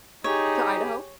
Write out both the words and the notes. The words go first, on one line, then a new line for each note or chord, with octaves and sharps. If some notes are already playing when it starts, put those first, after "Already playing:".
To Idaho?
D#4 G4 G#4 C#5